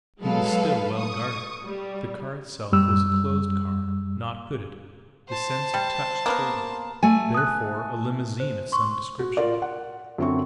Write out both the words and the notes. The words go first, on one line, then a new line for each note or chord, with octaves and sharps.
He was still well guarded! The car itself was a closed car--not hooded, the sense of touch told him--therefore a limousine of some description.
F#3 G#3 A4 B4 F5
C#6 D#6
G3
F#2 G3 E6
C5 A5
G3
A#3 B3 A#4
A3 G#5
D#6 F#6
C5
C6 C#6
F#4
F4 A#4 D5
F#5
F#2 D3 C4 E5 C#6